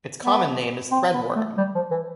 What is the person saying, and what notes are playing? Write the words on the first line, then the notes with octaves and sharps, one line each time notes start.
Its common name is threadworm.
B3
C4
B3
A3
G3
F3
E3